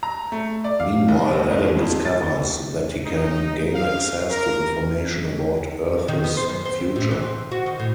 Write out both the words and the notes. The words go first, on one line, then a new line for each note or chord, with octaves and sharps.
Meanwhile, Adam discovers that he can gain access to information about Earth's future.
A#5
A3
D5
F5
F#1
G#2
F2
A6
D#4
F5
A#4
D#3
B3
C5
F#2
C5
D#2
A2
E3
C4
F#4
D#3
A2